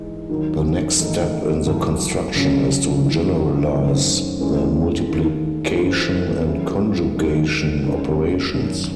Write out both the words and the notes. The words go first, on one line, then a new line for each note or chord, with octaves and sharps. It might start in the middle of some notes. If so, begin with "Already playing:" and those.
The next step in the construction is to generalize the multiplication and conjugation operations.
Already playing: G#2 E3 G#3 D#4
D#2 D#3 F#3
A1 G#2 D#3 A3 D#4
C2 C3 F#3 A3
C#2 C#3 F#3 C#4
G#1 G#2 E3
G#1 F#2 D#3 A3 C4
A2 E3 G#3 C#4
D#2 D#3 A3
A2 E3 C4
A2 F#3 C#4 E4 G#4
D#2 D#3 G#3
D#2 D#3 G#3 C#4
G#1 F#2 D#3